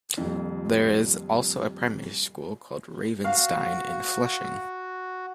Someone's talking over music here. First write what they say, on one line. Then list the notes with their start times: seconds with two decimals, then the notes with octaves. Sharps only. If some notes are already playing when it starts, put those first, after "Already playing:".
There is also a primary school called 'Ravenstein', in Flushing.
0.17 D#1 F2
3.24 F#4 F5